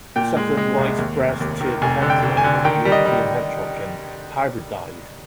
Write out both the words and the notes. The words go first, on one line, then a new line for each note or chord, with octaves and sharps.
The Southern white-breasted hedgehog and European hedgehog can hybridize.
A#2 G5
G#3
G#3
C2
D#2
F1
D#2
D#3
F1 G#5
D3
G5
F1
G#5
D3
D#3 G5
G3
D#5
G3